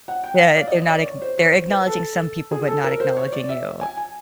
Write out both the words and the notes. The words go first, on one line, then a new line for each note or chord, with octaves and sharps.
they they're not ackn they're acknowledging some people, but not acknowledging you.
F#5
G5
F#5
F5
D5
D#5
D#5
D5
C#5
C5
C#5
C5
B4
A4
G#4
A4
A#4
C5
C#5
D5
E5
G#5
G#5